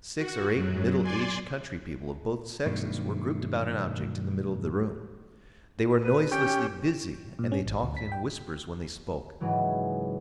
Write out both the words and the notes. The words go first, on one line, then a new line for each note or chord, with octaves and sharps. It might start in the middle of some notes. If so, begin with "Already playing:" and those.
Six or eight middle-aged country people of both sexes were grouped about an object in the middle of the room; they were noiselessly busy and they talked in whispers when they spoke.
F#4
F#2 F#3
D5 G#5 C6
G2 B2 D#3 F#3 A3 D4
B4
C#4 G4 G5
A#2
C#4
G#1
D2
B6
G5
G#2 C#3 E3 F#3